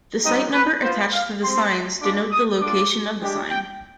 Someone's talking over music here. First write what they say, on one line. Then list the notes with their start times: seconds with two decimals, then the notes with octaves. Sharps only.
The site number attached to the signs denote the location of the sign.
0.23 G3 C4 D#4 G4 D#5
0.53 B4
0.82 B3 F4 C5
1.13 F5
1.42 C4 G4 C6
2.01 G#3 D4 F4 D6
2.32 D#6
2.61 G3 D4 F4 D6
3.20 G#3 D4 G4
3.50 G5